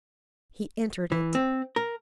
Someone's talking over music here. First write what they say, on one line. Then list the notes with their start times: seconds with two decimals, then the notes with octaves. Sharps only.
He entered it.
1.12 E3
1.35 C4
1.76 A#4